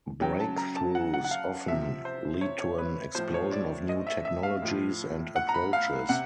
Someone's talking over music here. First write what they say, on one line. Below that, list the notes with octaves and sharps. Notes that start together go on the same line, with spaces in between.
Breakthroughs often lead to an explosion of new technologies and approaches.
C#3 F#3 G5
A5
A#5
A5
F#5
F#5
F#5
F5
C3 F3 E5
C5
C#5
C#5
B4
A2 F3 C5
C#5
D5
D#5
E5
E5
F5
A2 F3
F#5
A#5
B5
F5
C3 F#5